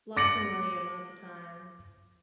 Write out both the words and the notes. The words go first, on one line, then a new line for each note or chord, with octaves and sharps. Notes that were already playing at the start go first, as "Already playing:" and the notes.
lots of money and lots of time.
D6 A#6 C#7 F#7